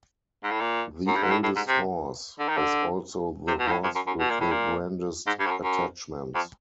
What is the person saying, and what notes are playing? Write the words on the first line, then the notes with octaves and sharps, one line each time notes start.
The oldest horse as also the horse with the grandest attachments.
G#2
A2
A#2
F#2
G2
G#2
A2
A2
G#2
C3
D3
D#3
D3
C3
B2
G#2
A2
F2
F#2
F#2
B2
A#2
A2
A#2
G#2
G2
F2
F#2
F#2
F2